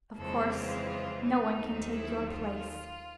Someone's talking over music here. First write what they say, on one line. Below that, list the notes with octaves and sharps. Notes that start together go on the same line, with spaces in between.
Of course, no one can take your place....
F2 C#3 E3 G#3 C4 A4
F4
F4
D#4
D#2 D#3 F#3 A3 C4
E4
F4